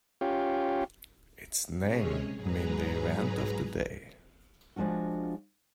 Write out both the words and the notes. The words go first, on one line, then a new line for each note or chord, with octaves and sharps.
Its name means "The event of the day".
C#4 F4 G4
C3 G#3 C#4 G#4 C#5
G#2 F#3 G#4 B4 A#5
F3 G#3 D4 F4 F#4